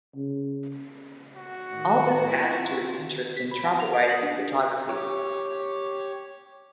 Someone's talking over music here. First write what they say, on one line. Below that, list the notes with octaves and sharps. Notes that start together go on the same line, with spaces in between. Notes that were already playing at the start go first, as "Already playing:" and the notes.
All this adds to his interest in travel writing and photography.
C#3
F#4
A2 D#3
C4 E4 F4
B6
B5
F#5
F7
D7
D#6
D4
G4 C#5